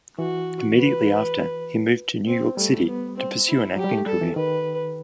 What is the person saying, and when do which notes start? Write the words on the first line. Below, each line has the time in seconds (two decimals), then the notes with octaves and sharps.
Immediately after, he moved to New York City to pursue an acting career.
0.19 E3 F#4
0.79 B4
2.27 C4
2.57 G3 A3
2.87 B3
3.17 C4
3.47 E4
3.76 F#3 G4
3.84 G3
3.91 A3
4.06 G3 A4
4.21 E3
4.36 D#3 B4